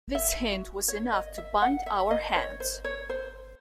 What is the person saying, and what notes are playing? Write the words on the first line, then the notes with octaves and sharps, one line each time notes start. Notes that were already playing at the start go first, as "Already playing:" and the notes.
This hint was enough to bind our hands.
E5
F#4
C#5
D#5
E5
F#5
E5
D#5
C#5
C5
C#5
C5